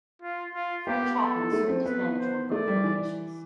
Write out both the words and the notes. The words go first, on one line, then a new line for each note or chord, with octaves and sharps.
Fred Chapman served as manager in both locations.
F4
F4
B3 G4
A4
A3
C4
B3 B4
C5
A3 D5
G3
E3